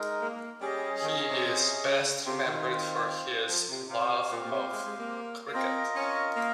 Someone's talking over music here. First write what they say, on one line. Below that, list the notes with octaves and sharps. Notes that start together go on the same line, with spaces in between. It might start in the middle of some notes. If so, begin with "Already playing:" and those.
He is best remembered for his love of cricket.
Already playing: G#3 D#4 A#4
A#3
G3 C#4 G#4 D#5
D#3
C#3
C3
C#3
C3 C4 F4 C5
D#3
F3
C3
C3 C4 G4 C5 F5
A#2
A#2
C3
G#3
G#3
A#3
A#3
C4 F4 A#4 D#5
C#4
A#3